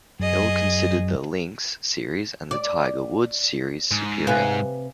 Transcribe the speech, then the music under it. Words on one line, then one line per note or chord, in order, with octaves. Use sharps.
Hill considered the "Links" series and the "Tiger Woods" series superior.
F#2 G#4 D#5
D5
G#2
C3 B4 F5 G#5 F#6